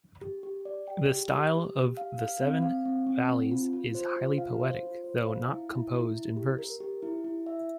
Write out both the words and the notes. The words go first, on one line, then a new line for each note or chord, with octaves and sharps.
The style of "The Seven Valleys" is highly poetic, though not composed in verse.
G4
G4
D5
G5
G4
G4
G4
G4
F5
F5
C4
F5
C4
C4
C4
F4
F4
C5
F4
F5
C5
F4
C5
F5
E4
E4
E4
E4
G4
A#4
G4
E4
E4
E5